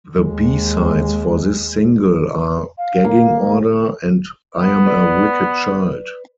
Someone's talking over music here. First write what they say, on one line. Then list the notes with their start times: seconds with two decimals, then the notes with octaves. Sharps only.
The B-sides for this single are "Gagging Order" and "I Am a Wicked Child".
0.14 D#2 G#3
2.78 F5
3.05 A#3
4.57 B3
4.86 B4 D5